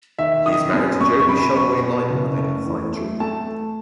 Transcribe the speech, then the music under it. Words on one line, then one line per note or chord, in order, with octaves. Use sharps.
He is married to Jody Shumway Lyman and they have five children.
D#3 E5
D#3 D#6
F#2 D#6
F#2 C#6
C#6
F#2 B5
B2 C#6
B2
F#1
A3
E2
A3
A3 A5